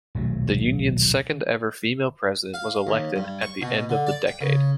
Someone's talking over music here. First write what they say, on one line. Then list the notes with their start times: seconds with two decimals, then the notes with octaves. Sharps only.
The Union's second ever female President was elected at the end of the decade.
0.15 D#1 B1 F#3 A3
2.54 F5
2.87 D#2
3.16 G2
3.42 C#6
3.62 B2
3.89 D3
4.07 D5
4.27 G5
4.41 C#3